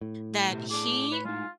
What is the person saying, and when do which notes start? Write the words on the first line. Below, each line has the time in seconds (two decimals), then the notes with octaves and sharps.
that he,
0.01 A2
0.48 B2 G4
0.71 D4 G#4 D6
1.12 B4 C#5
1.25 G#3 D#4 F4